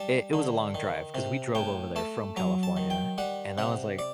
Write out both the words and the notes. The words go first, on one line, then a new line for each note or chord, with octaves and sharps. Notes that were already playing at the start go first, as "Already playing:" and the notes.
it it was a long drive 'cause we drove over there from California, and I was like
Already playing: G3 A5
D3
D#3
C3
A2 G5
A3 A5
F#3 A#5
A5
D#3
G5
G3 F#5
C3 F#5
D5